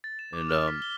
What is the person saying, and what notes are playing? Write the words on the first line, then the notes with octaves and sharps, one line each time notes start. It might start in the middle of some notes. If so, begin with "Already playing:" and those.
And um
A6
E7
D6
F6
B6
G7